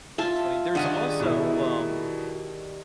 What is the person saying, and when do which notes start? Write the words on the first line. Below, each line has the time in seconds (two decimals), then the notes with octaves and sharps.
That's funny. There's also, um
0.18 F4 E5 A5
0.75 D#3 G3 D4 G#4 F#5 D#7
1.20 B2 E4